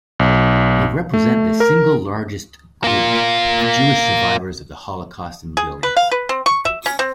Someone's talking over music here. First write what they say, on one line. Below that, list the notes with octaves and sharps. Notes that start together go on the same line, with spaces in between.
They represent the single largest group of Jewish survivors of the Holocaust in Vilnius.
B1
A3
A#4
A#3 F4
G#4
B4
F5
B4
C4
C#6
E5
C#4
C4